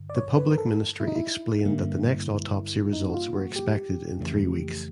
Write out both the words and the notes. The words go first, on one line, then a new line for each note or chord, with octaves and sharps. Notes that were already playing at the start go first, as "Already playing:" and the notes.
The Public Ministry explained that the next autopsy results were expected in three weeks.
Already playing: G2 D3
D5
C#5
B4
A#4
A4
E4
D#4
E4
G2 D3 G3 A#3
D#4
F#4
F4
F#4
G4
F2 C#3 E3 A3